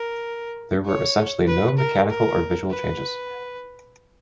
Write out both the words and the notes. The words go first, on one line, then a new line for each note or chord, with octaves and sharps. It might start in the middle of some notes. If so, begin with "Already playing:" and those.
There were essentially no mechanical or visual changes.
Already playing: A#4
C#5
B4
A#4
A#4
B4